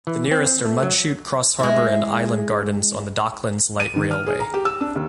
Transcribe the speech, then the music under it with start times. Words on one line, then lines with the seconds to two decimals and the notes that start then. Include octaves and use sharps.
The nearest are Mudchute, Crossharbour and Island Gardens on the Docklands Light Railway.
0.07 E3
0.31 C4
0.46 C4
0.65 A3
0.83 F#3
1.59 G#3 E4
3.80 D#7
3.96 D#3
4.11 F6
4.26 G#4
4.40 A#5
4.54 G4
4.65 E6
4.81 D4
4.96 D#2